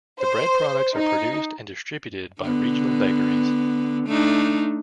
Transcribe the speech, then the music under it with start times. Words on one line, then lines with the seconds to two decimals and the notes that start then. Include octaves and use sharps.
The bread products are produced and distributed by regional bakeries.
0.21 C5
0.96 D#4
2.40 D3 B3
4.06 A3 D4 D#4